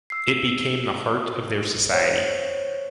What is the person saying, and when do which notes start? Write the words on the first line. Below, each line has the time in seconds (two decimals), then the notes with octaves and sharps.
It became the heart of their society.
0.10 E6 C7
1.91 C5 C#5